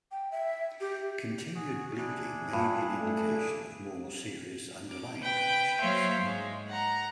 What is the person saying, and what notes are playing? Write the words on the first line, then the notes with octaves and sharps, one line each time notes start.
Continued bleeding may be an indication of more serious underlying conditions.
G5
E5
G4
F#4 G#4
D4 E4 G#4
G2 F4
A3
D6
B4 G5 G6
F#3 A#3 C5 C#5 E5 F5
G#2 G#3
F#5 A#5